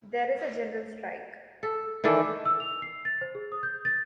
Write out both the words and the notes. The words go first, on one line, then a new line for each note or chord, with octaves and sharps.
There is a general strike.
A4
D#3 E3 D4 A4
E6
F7
C7
A6
C5
G#4
D#6
G6
A6